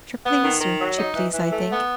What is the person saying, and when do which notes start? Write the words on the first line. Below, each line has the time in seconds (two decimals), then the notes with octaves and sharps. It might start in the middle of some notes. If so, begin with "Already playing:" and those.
Tripley's or Chipley's, I think.
0.25 B3
0.44 D#3
0.61 D#3
0.80 F#3
0.98 D#4
1.15 E3
1.33 E3
1.52 A3
1.70 B3